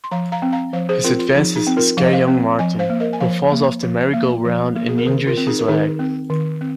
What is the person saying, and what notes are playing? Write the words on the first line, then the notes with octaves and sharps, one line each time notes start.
His advances scare young Martin, who falls off the merry-go-round and injures his leg.
C6
F3 F5 A#5
F5 A#5
C4
F5 A#5
F3 C5 F5
G#4 C5
C4 F4 A#4
F4
F3 D#4 G#4
D#4 G#4
C4
F4 A#4
F3 F5
D#5
C5 F5
C4
F3 D#5 G#5
C5 F5
A#3
A#4 D#5
G#5
F3 C5 F5
A#3
F3
A#3
F3
A#3
G#4
A#4
D#3 G#4 C5
F4 A#4
C4
D#4 G#4
A#4
D#3 D#4 G#4
C4
D#3
C4